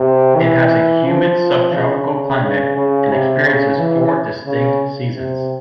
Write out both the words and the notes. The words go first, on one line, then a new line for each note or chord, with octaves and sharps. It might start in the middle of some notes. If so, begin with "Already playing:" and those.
It has a humid subtropical climate and experiences four distinct seasons.
Already playing: C3
E3
F3
C#3
C#3
C#3
C3
C#3
E3
C#3
C3